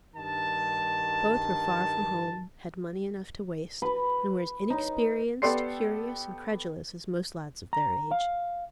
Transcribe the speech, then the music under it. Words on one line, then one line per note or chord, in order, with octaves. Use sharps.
Both were far from home, had money enough to waste, and were as inexperienced, curious, and credulous as most lads of their age.
G2 D#3 A5
B4
D#4
B3 G4 A4 D5 C6 C7
A#5
F5